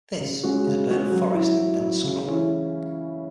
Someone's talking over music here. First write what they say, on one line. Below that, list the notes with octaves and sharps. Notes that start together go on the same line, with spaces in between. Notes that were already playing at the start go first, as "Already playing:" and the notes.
This is a bird of forest and dense scrub.
C#3
G#3 C#4 F#4
C#3
G#3 C#4 F#4
F#3
E4
F#3
E4
C#3
E3 C#4 E4